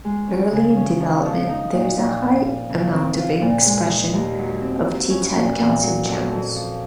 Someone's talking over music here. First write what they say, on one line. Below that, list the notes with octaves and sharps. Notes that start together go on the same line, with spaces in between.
Early in development, there is a high amount of expression of T-type calcium channels.
G#3
C#4
C#3
C#4
F3
F3
D#4
A#2
A#2
C4
F4
C#3
C4
F4
A#2
G#3
D#4
D#2
F#3
C4
D#2
C#4
A#2
A#2
F#3
F2
F2
F3